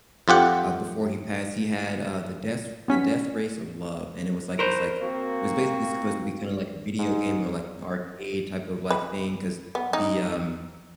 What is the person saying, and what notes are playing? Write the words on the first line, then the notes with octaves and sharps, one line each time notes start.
uh before he passed, he had, uh, The Death The Death Race of Love, and it was like this, like it was basically supposed to be kinda like a video game or like an arcade type of, like, thing, 'cause the, um
F2 F4 G4 F#5
B3 C#4 B6
A#4 C5
A#3 C4 F#4
G#2
B4
B3
D#4